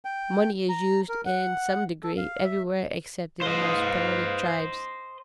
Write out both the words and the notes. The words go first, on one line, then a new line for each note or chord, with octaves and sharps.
Money is used, in some degree, everywhere except in the most primitive tribes.
G5
A#5
A#4
F#5
A4
F5
E5
B4 C5 D#5 F5